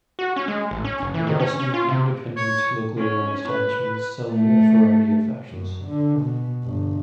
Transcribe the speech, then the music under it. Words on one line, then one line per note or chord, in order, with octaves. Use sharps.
There are also many independent, locally run establishments, selling a variety of fashions.
F#4
C#4
G#3
A1
C#4
F#1
E3
D#3
C#4
C#4
F4
C3
C#5
C#4
B4
A3
F#2
D3
B2
G1